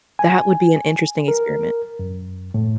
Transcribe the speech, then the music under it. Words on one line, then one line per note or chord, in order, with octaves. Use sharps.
That would be an interesting experiment.
G#5
A#4
F#2
A2